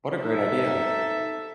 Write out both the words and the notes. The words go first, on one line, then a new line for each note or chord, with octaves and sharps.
What a great idea.
D#4 A4 E5